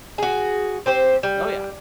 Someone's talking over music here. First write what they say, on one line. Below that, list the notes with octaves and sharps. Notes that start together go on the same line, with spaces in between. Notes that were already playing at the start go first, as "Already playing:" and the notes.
Oh, yeah.
F#4 G#4
C4 G4 C5
G3